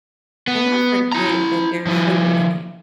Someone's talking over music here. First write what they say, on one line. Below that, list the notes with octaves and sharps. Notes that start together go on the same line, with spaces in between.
and I forget that there's sugar in it
B3
E4 A#5
F3 E4